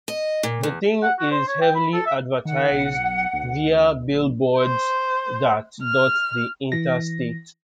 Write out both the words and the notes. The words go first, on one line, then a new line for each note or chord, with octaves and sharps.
The Thing is heavily advertised via billboards that dot the interstate.
D#5
A#2
E2
F#5
F#4
C5
C#5
G5
B5
A4
E5
D#3 F#5
B1
D2
A#1
C5
F6
E3 A#6